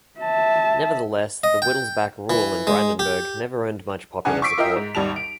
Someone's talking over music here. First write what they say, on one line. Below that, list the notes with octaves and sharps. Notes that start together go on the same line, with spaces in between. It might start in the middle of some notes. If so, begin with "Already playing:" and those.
Nevertheless, the Wittelsbach rule in Brandenburg never earned much popular support.
E5 A5
D#5
G5
E3
G#3
G4
C2 C#3 D4 D5 F#5 G#5
C#6 D6 E6 B6 C7 D7
F4 A#4 D#5 E5 G5 E6
G#2
G#1 D#2 G3 A5 F7
D7